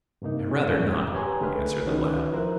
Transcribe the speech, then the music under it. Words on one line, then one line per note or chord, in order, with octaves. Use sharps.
"I had rather not," answered the lad.
G2 C3 A#3 D#4
C#4
G4 B4 C#5 G#5 A#5 C6
D3 A3 G#4 B4 F6
D#3 C#4 D#4 F#4 B4
F3 E4 A#4 C5 E5 F#6